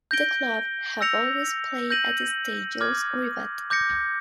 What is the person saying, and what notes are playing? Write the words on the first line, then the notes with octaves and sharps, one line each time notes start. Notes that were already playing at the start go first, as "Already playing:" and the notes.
The club have always played at the Stade Jules Ribet.
G6 A#6 D7 G7
E6 G6 A#6 C#7 F7
G6 A#6 D#7 F#7
D6 F6 G#6
D6 G6 A#6 C#7